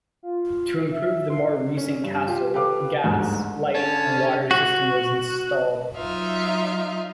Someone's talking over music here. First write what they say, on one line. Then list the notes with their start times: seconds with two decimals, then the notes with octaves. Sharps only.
To improve the more recent castle, a gas, light, and water system was installed.
0.23 F4
0.92 E5
1.30 C6
1.77 C#4
2.04 G2
2.28 F4 G4
2.54 G4 A4 B4 F5 D6
3.04 G1 D2 G#2
3.75 D3 C#4 A5
4.51 F#4
5.96 F#3 D#4 F4 E5 F5